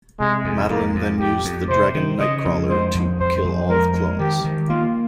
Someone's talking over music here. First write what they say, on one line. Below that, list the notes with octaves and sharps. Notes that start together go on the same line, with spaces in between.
Madelyne then used the dragon Nightcrawler to kill all the clones.
C3 G#3
F2
F2 A#3
F2
F2 G4
F2
C3 C5
D#3
C#3 D#5
F2
G#3 C5
F2
F2 C5
F2
G#3 A#4
G#3
D#3 G4
D#3
A#3 F4